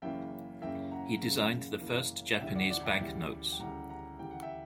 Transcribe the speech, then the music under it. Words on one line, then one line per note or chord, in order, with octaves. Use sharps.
He designed the first Japanese bank notes.
F#1 F#2 C#3 E3 A#3 E5 G5
F#1 F#2 C#3 E3 A#3 E5 G5
F#5 A#5
F#1 F#2 C#3 E3 A#3
F#1 F#2 C#3 E3 A#3
D2 C#3 E3 G3 E5 G5
D5 F#5
D5 F#5
E5 G5
D2 C#3 E3 G3
G5
D2 C#3 E3 G3 F#5 A#5
F#5 A#5
D2 C#3 E3 G3 G5
F#5
E5 G5